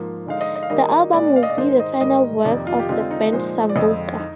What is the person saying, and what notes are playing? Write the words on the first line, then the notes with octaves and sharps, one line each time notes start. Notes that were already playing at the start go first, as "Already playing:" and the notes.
The album would be the final work of the band Savuka.
Already playing: G#2 F3 A#3
D3 G#3 D#4 F5
D#5
D#5
F5
D#3 G3 A#3 D#4 D#5
A#2 G#3 D4 D5
F5
D#5
D5
G#2 D#3 G#3 D#4 C5
D#5
G#2 D#3 G3 D#5
F2 C3 D#3 A#3 D#4 D5
F4
G4
D3 G#3 C4 D#4 F4
D#4
A#2 F3 G#3 D#4 C5
D5
F2 D3 G#3 C4 D#5
D#4